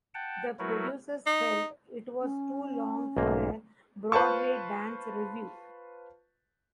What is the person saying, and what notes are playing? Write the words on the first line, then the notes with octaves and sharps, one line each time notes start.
The producers felt it was too long for a Broadway dance review.
F#5 G5 A5
F#3 A3 E4 F#4 A#4 B4
D#4
C#4
B1 G#2 A#3
F4 B4 C5 A5 C#6